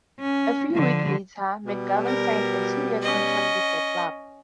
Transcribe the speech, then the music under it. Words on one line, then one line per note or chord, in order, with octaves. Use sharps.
A few week later, McGovern signed a two-year contract with the club.
C#4
D3 F3
B2 G3
A#4
C#4 D#5